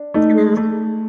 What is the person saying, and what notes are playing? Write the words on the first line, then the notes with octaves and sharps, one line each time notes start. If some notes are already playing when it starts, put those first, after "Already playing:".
If you were
Already playing: D4
A3 D#4
A3